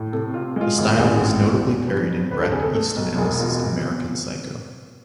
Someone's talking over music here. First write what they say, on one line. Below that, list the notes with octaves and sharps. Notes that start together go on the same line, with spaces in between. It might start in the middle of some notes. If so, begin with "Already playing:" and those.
The style was notably parodied in Bret Easton Ellis' "American Psycho".
Already playing: A2
C3 A4
C3 F4
G#3 F4
G#1
F4
A1 G#4
A2
E2
E2
F3 B4
F2
D2 B4
A4
C3 G#4
A4
A3 A4
B1
E1 G#4
B2 F4
C3